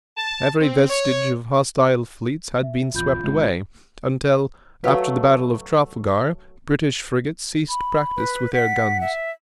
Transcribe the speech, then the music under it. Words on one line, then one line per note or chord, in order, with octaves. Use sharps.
Every vestige of hostile fleets had been swept away, until, after the battle of Trafalgar, British frigates ceased practice with their guns.
A5
C4
C#5
E5
A#1 E2 F4 B5 G6
G#1 C#3 G#3
F#3 A3 B4 F5
B5
B4
F#5 B6
E5